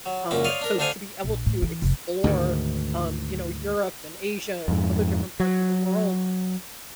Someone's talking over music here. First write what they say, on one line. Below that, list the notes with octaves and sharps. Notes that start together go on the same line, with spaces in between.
um, so to be able to explore, um, you know, Europe and Asia and other different parts of the world,
F#3
C#2 F#2 A#2 C#4 B5 D6
C#5 D5 F5 C6 D#6
D4 A#4
D2 D4 A4 C5 F5 G#5
A#1
A2
E3
F1
D2 G#2 D#3
F2 G#2
F#3